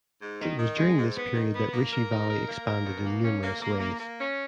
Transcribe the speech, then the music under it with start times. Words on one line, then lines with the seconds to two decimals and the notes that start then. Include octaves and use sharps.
It was during this period that Rishi Valley expanded in numerous ways.
0.22 G#2
0.40 D#3
0.59 D#3
0.78 G#3
0.96 G#2
1.16 B3
1.34 D#3
1.54 B3
1.73 A#3
1.92 A#4
2.10 D#4
2.29 A#4
2.48 A#3
2.66 A#4
2.86 B2
3.05 A#3
3.24 C#4
3.43 A#3
3.62 A#3
3.80 A#3
4.00 A#3
4.19 C#4